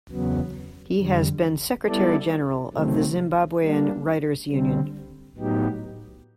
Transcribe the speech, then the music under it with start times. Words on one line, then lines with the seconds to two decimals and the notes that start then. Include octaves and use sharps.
He has been secretary general of the Zimbabwean Writers' Union.
0.10 E2 C#3 F#3 B3
0.97 F2 D3 G3
1.85 G3 B3 E4 A4 D5
2.74 C3 D#3 F#3 A3 C4
3.62 G3 A#3 D4
4.49 D3 G3 C4
5.37 A2 F#3 B3 D#4 G4